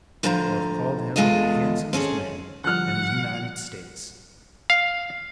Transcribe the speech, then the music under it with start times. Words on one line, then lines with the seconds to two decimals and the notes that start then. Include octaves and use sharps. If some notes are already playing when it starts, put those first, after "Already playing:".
People have called him the handsomest man in the United States.
0.23 A2 D3 F3 C5 G#5 A#5
1.16 E2 G2 G#3 F4 A4 D#5
1.93 C4 C#4 G#4 A4
2.64 D3 F3 G3 F#5 F6 F#6
4.70 F5